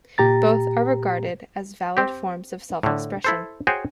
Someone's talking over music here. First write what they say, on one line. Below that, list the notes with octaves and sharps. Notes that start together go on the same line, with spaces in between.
Both are regarded as valid forms of self-expression.
A#2 G4 A#5 A6
C4 G4
A2 D3
E4 A4 C5
F#4 G#4 C5 C#5 G5 G#5